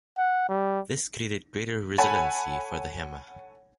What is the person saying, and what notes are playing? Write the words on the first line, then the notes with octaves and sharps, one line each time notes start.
This created greater resiliency for the hammer.
F#5
G3
A4 C#5 F#5 G#5 A5 B5